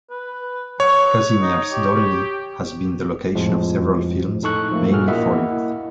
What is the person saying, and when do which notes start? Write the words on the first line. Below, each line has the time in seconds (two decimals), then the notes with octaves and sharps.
Kazimierz Dolny has been the location of several films, mainly for youth.
0.10 B4
0.80 F#3 C#5
1.42 D#4
1.73 G4
3.35 F2 A2 F3 G#3
4.43 A2 D#4 A4 C#6 F#6
4.72 F3 A3 A#3
4.90 G2 A#2 F#4 G#4 F6
5.08 A#3 E4 D#5 E5 F#5